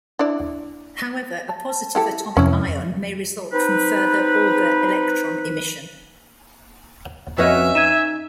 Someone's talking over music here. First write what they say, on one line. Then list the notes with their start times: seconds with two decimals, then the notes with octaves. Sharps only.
However, a positive atomic ion may result from further Auger electron emission.
0.19 D4 E4 D5
1.49 A5
1.95 E4 G4 A4
2.37 F2 C3 C#4 E4
3.53 C4 D#4 B4
7.38 F2 C#4 F#4 B4 D#5 E5 F6
7.75 D#4 G#6 D#7 E7